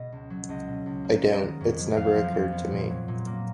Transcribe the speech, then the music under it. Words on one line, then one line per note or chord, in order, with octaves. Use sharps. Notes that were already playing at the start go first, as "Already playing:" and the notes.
I don't, it's never occurred to me.
Already playing: B2 G#3 B3 D#5
C#2
F#3
C#2 D#5
B2
C#2
A#3
B3 D#5
D#3
F2
F#3
F2 F5
F3
F2
B3
A#2
F#3
A#2
A#3